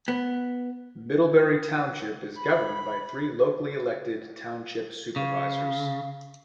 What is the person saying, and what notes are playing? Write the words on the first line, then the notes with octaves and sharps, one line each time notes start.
Middlebury Township is governed by three locally elected Township Supervisors.
B3
B5
C#3 F5